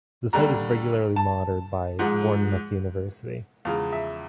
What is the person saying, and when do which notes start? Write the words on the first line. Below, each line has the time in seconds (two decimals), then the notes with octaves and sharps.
The site is regularly monitored by Bournemouth University.
0.33 D#2 D3 G3 A#5
1.16 A5
1.99 G#2 F3 G#3 F#5
3.65 E2 C#3 F3 G#3 F5
3.93 E5